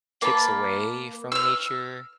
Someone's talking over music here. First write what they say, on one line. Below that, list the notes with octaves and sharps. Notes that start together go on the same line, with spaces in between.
takes away from nature?
A#3 A5 B5
E6 F6